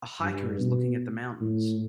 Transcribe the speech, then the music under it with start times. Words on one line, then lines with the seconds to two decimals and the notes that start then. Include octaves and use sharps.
A hiker is looking at the mountains.
0.21 G2
0.60 B2
1.40 A2